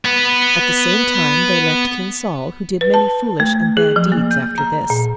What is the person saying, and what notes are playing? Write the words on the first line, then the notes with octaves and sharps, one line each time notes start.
At the same time, they left King Saul, who did many foolish and bad deeds after this.
B3 B4
B4
A5
A3
G#4
F3
A#3
G6
A#5
A#2